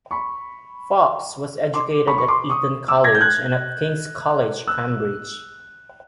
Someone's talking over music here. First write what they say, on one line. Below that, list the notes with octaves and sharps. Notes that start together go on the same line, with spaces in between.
Foxe was educated at Eton College and at King's College, Cambridge.
B5 C#6
C6 D6
B5 C#6
C#6
C6 D6
C#6 D#6
D6 E6
G#6 A#6
G6
F#6 G#6
E6 F#6